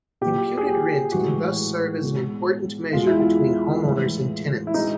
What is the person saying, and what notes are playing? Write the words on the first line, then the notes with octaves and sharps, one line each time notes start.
Imputed rent can thus serve as an important measure between home owners and tenants.
A#2 F#3 G4
G#4
G4
A2 E3 G#3 F#4
B2 G#3
E2 B2 G#3 F4
E4
F4
A2 E3 G#3
E4
B2 G#3 D#4